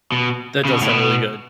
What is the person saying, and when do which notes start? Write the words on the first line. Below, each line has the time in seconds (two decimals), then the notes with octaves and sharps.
That does sound really good.
0.12 B2
0.65 C#3
0.73 B2
0.82 A2
0.89 B2